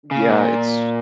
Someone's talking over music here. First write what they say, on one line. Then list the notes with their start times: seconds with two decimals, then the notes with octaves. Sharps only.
Yeah, its
0.11 C#3
0.29 A#2